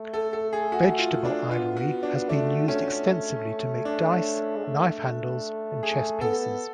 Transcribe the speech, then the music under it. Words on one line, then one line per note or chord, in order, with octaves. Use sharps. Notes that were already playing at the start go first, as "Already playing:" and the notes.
Vegetable ivory has been used extensively to make dice, knife handles, and chess pieces.
Already playing: A3
A4
A4
G#4
F#4
F4
D4
B3 F4
F#4
D4
A3 D4
A3 C#4
D4
G#3
A3
G#4
B3 A4